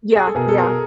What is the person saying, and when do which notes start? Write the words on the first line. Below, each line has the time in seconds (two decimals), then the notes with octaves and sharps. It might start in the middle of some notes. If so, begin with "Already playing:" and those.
Yeah, yeah.
0.16 G#4
0.26 A4
0.35 B2 G#4 A#4
0.49 A4
0.58 G#4 A#4